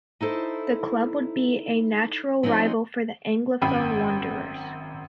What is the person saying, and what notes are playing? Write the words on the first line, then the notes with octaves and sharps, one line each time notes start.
The club would be a natural rival for the anglophone Wanderers.
D#4 E4 A4 C5
F3 C4 C#4 D#4 F#4
G#1 F#2 G5 B5